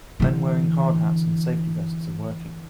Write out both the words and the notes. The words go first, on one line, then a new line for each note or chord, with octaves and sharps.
Men wearing hard hats and safety vests are working.
D3 E3